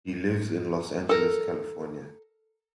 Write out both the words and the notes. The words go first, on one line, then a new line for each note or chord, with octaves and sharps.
He lives in Los Angeles, California.
A4 A#4